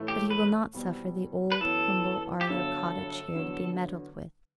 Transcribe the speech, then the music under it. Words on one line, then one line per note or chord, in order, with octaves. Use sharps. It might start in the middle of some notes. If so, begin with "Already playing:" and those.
But he will not suffer the old, humble Arler cottage here to be meddled with.
Already playing: A2 E3 A3
G4
B4
E2 B2 G3 C4 E4
B4
F#2 E3 B3 E4 A4
G4
G1 G2 D3 F#3 A4
E2 D3 F#3 B3